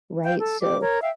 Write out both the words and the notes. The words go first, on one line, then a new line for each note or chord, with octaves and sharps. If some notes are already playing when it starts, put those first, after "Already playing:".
right, so
F5 G5 G6
A4
G4 D6
A#4 C#5
E5 F5 G5